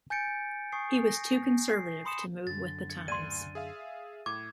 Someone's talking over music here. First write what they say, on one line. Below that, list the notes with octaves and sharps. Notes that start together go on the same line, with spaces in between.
He was too conservative to move with the times.
G#5 G6 A6 C#7 D7
G#5 C#6 D#6 C7
A#6
C7
B5 C6 D#6 C#7 E7
F#2 D3 A6
G#6 C#7
D2 D5 C6 D#7
G#4 E5 F5
A2 D6 G#6